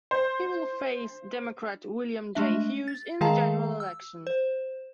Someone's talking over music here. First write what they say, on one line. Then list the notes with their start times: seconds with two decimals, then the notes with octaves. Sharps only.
He will face Democrat William J. Hughes in the general election.
0.11 C5
2.35 G#3 A3 D4 E5
2.88 A6
3.21 D#3 G#3 G#4 F5 A5 A#5
3.80 E6
4.27 C5